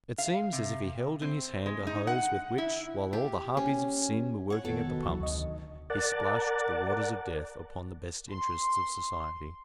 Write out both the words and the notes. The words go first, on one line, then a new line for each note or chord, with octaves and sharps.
It seems as if he held in his hand a hose with which, while all the harpies of sin were working at the pumps, he splashed the waters of death upon the best interests of society.
F5
C3
C4
G#3
D#4
F#5
E4
G4
C#4
C#5 F#5
F1 C3 D#3 B3 A4
B2
F1 D2 F#3 C#6
D#3 D#5
A#4 D5 F#5 A5
C6